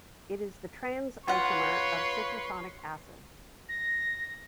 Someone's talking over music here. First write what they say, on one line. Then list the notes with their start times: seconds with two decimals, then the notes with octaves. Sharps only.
It is the "trans"-isomer of citraconic acid.
1.28 F4 B4 C#5 F#5 C6
3.69 A#6